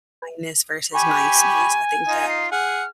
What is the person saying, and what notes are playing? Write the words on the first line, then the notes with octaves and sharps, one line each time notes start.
kindness versus niceness. I think that
G4 G#5 B5 C#6
D#4 F4
C7
G#4 F#5 F6